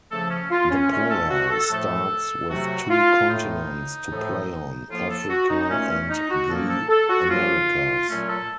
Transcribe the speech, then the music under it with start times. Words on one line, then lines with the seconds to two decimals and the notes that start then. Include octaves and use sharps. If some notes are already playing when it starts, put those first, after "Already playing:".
The player starts with two continents to play on, Africa and the Americas.
0.11 C#3 F3 A3 A4
0.30 C#4
0.51 F4
0.71 C#4
0.91 A#2 A3 C#4
1.11 A4
1.30 F#4
1.50 A4
1.70 A2 F3 A3 A4
2.50 C3 F#3 A3 F#4
2.90 F4
3.30 A2 A3 D#4
4.10 A2 F3 A3
4.89 A2 F3 A#3 F4
5.10 A4
5.30 F#4
5.49 D#4
5.70 A#2 A3 C#4
5.89 C#4
6.09 D#4
6.30 F#4
6.49 A#2 F3 A#3 A4
6.70 A4
6.89 A4
7.10 F#4
7.29 C#3 F3 A#3 F4
8.09 A#2 F#3 A3 C#4
8.29 A4